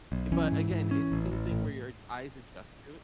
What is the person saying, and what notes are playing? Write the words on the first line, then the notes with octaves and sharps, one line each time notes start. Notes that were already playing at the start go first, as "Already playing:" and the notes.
But again, it's the same thing where your eyes adjust to it.
B1
E3 C#4
G#2
G#2
C#4
A1
A1
A2